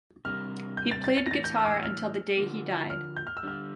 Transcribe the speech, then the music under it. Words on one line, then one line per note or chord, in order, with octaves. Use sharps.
He played guitar until the day he died.
C3 G3 A#3 D4 F6
G6
A6
A6
A6
A#6
A2 E3 A#3 D4 A6
G6
F6
D6
E6
F6
D3 F3 A#3
F6
G6
F6
E6
D3 G3 D4 F6